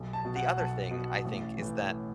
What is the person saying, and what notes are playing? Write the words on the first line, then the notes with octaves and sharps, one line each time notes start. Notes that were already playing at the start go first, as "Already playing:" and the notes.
The other thing I think is that
Already playing: B1
A5
B2
F#5
B1 A5
B2
A1
A2 E3